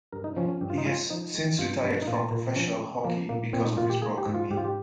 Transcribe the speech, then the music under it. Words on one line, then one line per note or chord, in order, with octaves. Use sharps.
He has since retired from professional hockey because of his broken knee.
G2 A#4
D#4
F3 C#4
C#4
G2 G4
F4
D#4
G#3 F4
F3 D#4
G#3
G2 F4
G2
D#4
A#2 F4
A#2
F3 C#4
G#3
F3 A#3
A#2 A#3
A#2 C4
D#4
A#2 F4
G4
A#3 G#4
G4
G#2
F4
G#2 G4
F4
G4